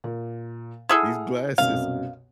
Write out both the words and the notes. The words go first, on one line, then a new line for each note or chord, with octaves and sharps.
These glasses
A#2
E4 G#4 A4 F#5 F6
C2 F#2 B2 F5